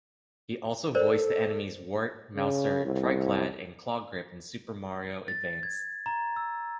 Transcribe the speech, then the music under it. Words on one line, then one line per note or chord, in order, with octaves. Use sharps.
He also voiced the enemies Wart, Mouser, Tryclyde, and Clawgrip in "Super Mario Advance".
A4 A#4 C5 D5
C#3
C2
A6
G#6
A#5
E6